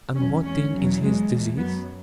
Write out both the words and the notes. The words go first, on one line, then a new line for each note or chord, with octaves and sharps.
'And what then is his disease?'
E2 B2 F#3 C#4
G#2 E3 C#4
E2 C#3 F#3
E2 B2 F#3 G#3
E2 E3
F#2 F#3 B3